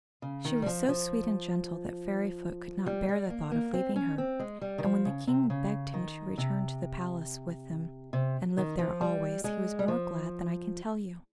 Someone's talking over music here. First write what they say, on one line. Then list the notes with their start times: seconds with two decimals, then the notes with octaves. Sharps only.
She was so sweet and gentle that Fairyfoot could not bear the thought of leaving her; and when the King begged him to return to the palace with them and live there always, he was more glad than I can tell you.
0.22 C#3
0.45 D#3
0.62 G3
0.66 F3
0.89 F3
2.86 G3
3.09 G3
3.30 A#3
3.51 A#3
3.74 C4
3.96 C#4
4.18 C4
4.39 G#3
4.61 G3
4.78 D#3
4.84 F3
5.05 C#3
5.27 C3
5.50 C#3
5.94 D#3
6.38 C3
8.13 C3
8.58 D#3
8.79 F3
9.01 G3
9.44 G#3
9.79 G3
9.88 F3